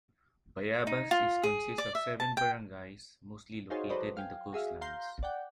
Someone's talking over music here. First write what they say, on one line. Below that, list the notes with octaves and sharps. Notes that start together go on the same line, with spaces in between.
Bayabas is consist of seven barangays mostly located in the coastlines.
D#4
F4
G#4
D5
E5
A5
G5
D#4 F4 F#4 G#4 C5 C#5
F#3 A4 B4 C5 D5 D#5
F5 G5 G#5
F#4 G#4 E5 F5
F5 A#5 C6 G6
D5 F#5 G5